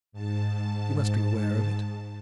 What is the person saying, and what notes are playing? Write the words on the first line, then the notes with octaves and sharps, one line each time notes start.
You must be aware of it.
G#2 A5